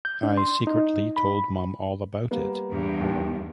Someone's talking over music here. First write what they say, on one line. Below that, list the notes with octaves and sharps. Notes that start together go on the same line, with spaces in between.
I secretly told mum all about it.
G6
D4
C6
D#4
B5
G3 A#3 B3
E2 G2
D#2